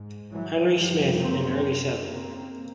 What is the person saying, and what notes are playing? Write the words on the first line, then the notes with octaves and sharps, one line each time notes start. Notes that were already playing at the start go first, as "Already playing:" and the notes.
Henry Smith, an early settler.
Already playing: G#2
E3 F#3
F#2 C#3 F3 G3
A#3 C4
A#3 C4